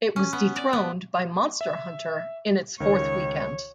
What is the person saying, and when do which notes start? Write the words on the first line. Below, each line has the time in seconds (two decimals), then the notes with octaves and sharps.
It was dethroned by "Monster Hunter" in its fourth weekend.
0.16 C#4
0.33 B3
0.56 D5
0.73 B3
1.61 E5
2.80 C#2 D#3 C#5